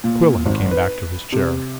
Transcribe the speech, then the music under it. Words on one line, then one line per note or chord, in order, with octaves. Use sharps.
Quillan came back to his chair.
A#2
G#1
B4
C3